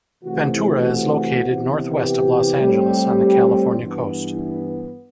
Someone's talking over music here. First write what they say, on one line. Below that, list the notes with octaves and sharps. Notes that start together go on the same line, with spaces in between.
Ventura is located northwest of Los Angeles on the California coast.
C3 E3 A3 F#4
E4
F#4
C3 E3 B3
G4
A2 G3 C4
G2 E3 B3
E4